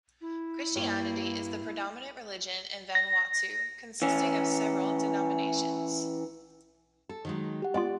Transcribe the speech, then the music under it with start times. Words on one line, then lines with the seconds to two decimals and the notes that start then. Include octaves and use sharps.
Christianity is the predominant religion in Vanuatu, consisting of several denominations.
0.21 E4
0.76 G2 A#3 C#5
2.95 A#6
4.02 E3 C#4
7.09 A4
7.25 D#3 F#3 G#3
7.62 G4 F#5
7.74 G#3 B3 F4 D5